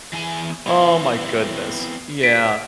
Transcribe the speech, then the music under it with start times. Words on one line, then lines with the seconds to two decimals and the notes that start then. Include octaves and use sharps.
oh my goodness. Yeah.
0.13 E3 G#4 G#5
0.67 B3 C4 E4
2.23 B6 D7